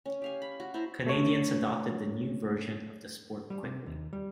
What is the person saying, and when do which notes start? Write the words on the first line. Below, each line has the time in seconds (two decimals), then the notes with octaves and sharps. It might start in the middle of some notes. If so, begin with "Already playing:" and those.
Canadians adopted the new version of the sport quickly.
0.06 C#4
0.22 G4 F5 G#5
0.42 B5
0.60 F#4
0.74 E4 C5 A5 A#5
1.07 A3 C#5
3.50 G3
3.63 C3
3.86 D#2
4.13 G3